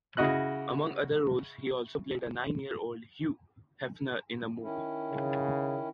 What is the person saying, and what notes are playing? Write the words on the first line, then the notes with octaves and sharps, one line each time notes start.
Among other roles, he also played a nine-year-old Hugh Hefner in a movie.
C#3 E4 F#4 D#5 F#6
D#3 C#4 E4
C#3